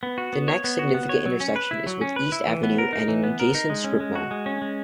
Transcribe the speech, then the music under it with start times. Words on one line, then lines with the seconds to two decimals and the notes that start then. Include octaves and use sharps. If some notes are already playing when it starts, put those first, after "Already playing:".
The next significant intersection is with East Avenue and an adjacent stripmall.
0.03 B3
0.18 F#4
0.33 B3
0.48 C#5
0.64 B3
0.79 F#4
0.95 B3
1.09 C#5
1.26 F#3
1.40 C#4
1.56 B4
1.71 E4
1.87 F#3
2.01 C#4
2.16 B4
2.32 E4
2.47 E3
2.63 B3
2.78 A#4
2.93 D#4
3.08 E3
3.24 B3
3.40 A#4
3.55 D#4
3.70 G#3
3.84 C#4
4.00 G#3
4.15 F#4
4.31 G#3
4.46 C#4
4.62 G#3